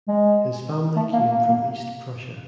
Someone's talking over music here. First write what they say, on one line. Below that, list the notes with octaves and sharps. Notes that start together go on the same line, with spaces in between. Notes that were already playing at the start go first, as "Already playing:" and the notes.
His family came from East Prussia.
G#3
A3
A#3
A#3
A#3